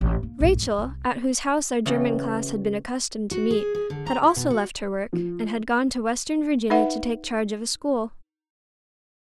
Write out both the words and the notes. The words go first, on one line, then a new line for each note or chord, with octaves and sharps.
Rachel, at whose house our German class had been accustomed to meet, had also left her work, and had gone to western Virginia to take charge of a school.
A1
A#3
A#1 G#2
F2
C2
C#3 E3 A3 F#4 G4 B4
F#4
G#4
G#4
D3
A#5
E4
B2
F#4
F3
D#4 B4 E5 F#5